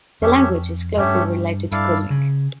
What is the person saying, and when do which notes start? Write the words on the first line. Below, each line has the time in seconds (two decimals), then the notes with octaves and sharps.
The language is closely related to Kumyk.
0.22 F2 A3 C#4 G4 C#5 E5
0.96 G2 A3 C#4 G4 C#5 E5
1.72 G2 E4 A4 D5 F5
2.10 C#3